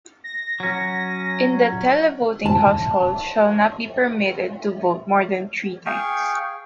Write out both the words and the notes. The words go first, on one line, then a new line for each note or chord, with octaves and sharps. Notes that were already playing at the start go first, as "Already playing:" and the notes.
In the televoting household shall not be permitted to vote more than three times.
A#6
F#3 C#4
A5
G#4 F5 G5 C#6